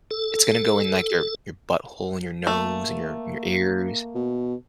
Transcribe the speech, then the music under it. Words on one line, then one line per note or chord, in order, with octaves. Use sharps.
it's gonna go in, like, your your butthole in your nose and your your ears.
A4
A3 A#3
B2